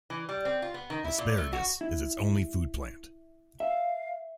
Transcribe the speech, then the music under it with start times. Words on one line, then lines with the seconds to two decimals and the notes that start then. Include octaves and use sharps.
Asparagus is its only food plant.
0.10 E3
0.29 G3
0.45 C4
0.62 F4
0.74 B3
0.90 D#3
1.04 E4
1.18 A#2
1.38 A3
1.53 F#4
1.81 E4
3.60 E5 F5